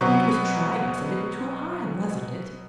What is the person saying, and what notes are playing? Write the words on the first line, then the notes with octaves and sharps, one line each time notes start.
It was trying us a little too high, wasn't it?
B2 F#3 B3 C4